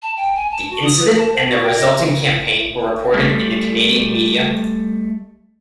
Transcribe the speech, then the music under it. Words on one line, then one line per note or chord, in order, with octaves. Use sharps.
The incident and the resulting campaign were reported in the Canadian media.
A5
G5
G#5
A5
F#4
D#6
B4
A5
C5
F#4
G5
D#5
G3 A3